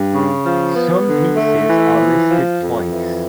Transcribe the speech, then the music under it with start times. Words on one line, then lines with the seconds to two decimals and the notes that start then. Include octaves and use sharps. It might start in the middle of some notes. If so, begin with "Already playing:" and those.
Some pieces are listed twice.
Already playing: G2
0.14 C#3
0.45 F3
0.75 B3
1.06 D3
1.36 A3
1.67 E3
1.98 F3
2.29 F3
2.60 F2
2.90 E3